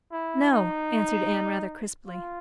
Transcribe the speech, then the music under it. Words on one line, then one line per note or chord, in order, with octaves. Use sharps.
"No," answered Anne, rather crisply.
E4
D#4
F4